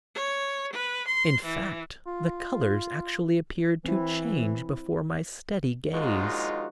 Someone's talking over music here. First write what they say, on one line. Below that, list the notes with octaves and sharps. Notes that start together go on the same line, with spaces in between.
In fact the colors actually appeared to change before my steady gaze.
C#5
B4
C6
E3
F4
E3 C4 E4
A#1 D#2 G#3 D#4 F4 F#4